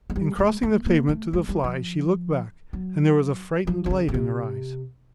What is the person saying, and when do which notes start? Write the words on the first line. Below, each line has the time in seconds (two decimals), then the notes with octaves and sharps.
In crossing the pavement to the fly she looked back; and there was a frightened light in her eyes.
0.10 G#3
0.16 G3
0.39 G#3
0.63 A3
0.86 A#3
1.09 A3
1.33 G#3
1.49 G3
1.64 F3
2.73 F#3
3.67 F3
3.86 D3
3.90 C#3
4.08 C#3
4.14 C3